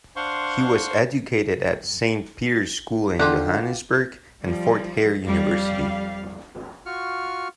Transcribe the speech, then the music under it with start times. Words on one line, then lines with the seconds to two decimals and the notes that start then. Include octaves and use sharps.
He was educated at Saint Peter's school in Johannesburg and Fort Hare University.
0.16 D4 C5 F5 F#5 C6 C#6
3.20 D3 F4 G4 F#5
4.43 F3 G3
5.27 F2 G3 F5
6.86 F4 F#4 C#6 F6